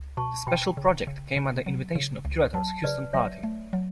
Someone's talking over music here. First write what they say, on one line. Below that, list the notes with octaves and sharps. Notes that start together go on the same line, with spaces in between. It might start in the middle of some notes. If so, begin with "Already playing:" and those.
This special project came at the invitation of curators Houston Party.
Already playing: C#2
B2 A5 C#6
B2 G5 B5
C#3
C#3
C#3
F#3
C#3
C#2
F#3 F#5 A5
C#3 B4 D5
F#3 C#5 E5
A3
F#3